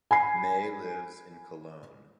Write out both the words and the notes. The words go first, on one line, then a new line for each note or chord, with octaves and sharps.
Maye lives in Cologne.
G#5 B5 C7